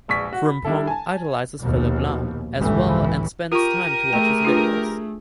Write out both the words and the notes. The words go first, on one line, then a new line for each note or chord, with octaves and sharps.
Frimpong idolises Philip Lahm as well and spends time to watch his videos.
E1 A#1 C#6 B6
F#4
B5
G3 D4 E4 A4
G#5 A5
A#1 D#2 B2
G1 C#2 A2 E3
F4 G4 A#4 C#6 D#7
A3 G#4 G5
D4 F4 B4